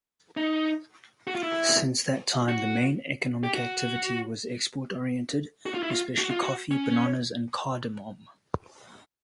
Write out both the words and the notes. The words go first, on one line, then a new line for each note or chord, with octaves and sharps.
Since that time, the main economic activity was export-oriented, especially coffee, bananas and cardamom.
D#4
F#4
F4
E4
F#4
G4
F#4
F#4
F4
E4
F4
F#4
F4
F#4
C#4